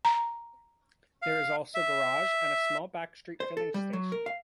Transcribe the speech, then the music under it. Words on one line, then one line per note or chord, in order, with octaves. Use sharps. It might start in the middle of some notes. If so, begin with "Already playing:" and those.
There is also a garage and a small backstreet filling station.
A#5
F5
E5
C5
A4
G3
F#3
A#4
F5